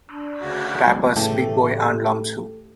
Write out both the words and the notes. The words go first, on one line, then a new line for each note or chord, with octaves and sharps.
Rappers Big Boi and Iamsu!
D4
D2 C#3 F#4
A2 C#3 E3 A3 G4 A4